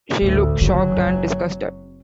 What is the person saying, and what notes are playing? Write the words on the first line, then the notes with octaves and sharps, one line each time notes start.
She looks shocked and disgusted.
A1 D2
F#1 D3 F#3
C4